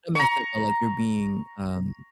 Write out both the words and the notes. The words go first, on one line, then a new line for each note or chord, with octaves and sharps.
not messed up, but, like, you're being, um,
A#5 C#6